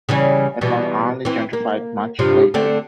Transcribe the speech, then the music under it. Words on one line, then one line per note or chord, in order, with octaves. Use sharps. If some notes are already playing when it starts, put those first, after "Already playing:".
It was only gentrified much later.
C#3 E3 G3
B2 E3 G3
E3 C4
A#3
G2 C3 F3
D3 A3 C4